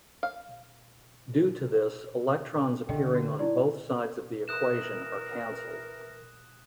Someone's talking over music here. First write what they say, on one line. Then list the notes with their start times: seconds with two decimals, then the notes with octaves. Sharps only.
Due to this, electrons appearing on both sides of the equation are canceled.
0.23 F5
2.89 D3 G4 D#5 G5
3.15 F#4
3.39 D#4 E4 D5
4.48 E3 A#4 D#6 F#6 E7